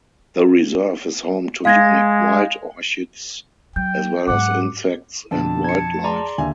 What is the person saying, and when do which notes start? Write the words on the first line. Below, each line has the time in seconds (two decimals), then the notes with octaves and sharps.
The reserve is home to unique wild orchids, as well as insects and wildlife.
1.65 G#3 F5 G#6 A#6
3.76 F#3 G5 G6
4.28 G#2 F#3 F#5 D6
5.31 F2 B2 D3 A5
5.64 G#6 C#7
6.04 G#4 D5 A#5 C6
6.38 D#2 D3 E5 G#5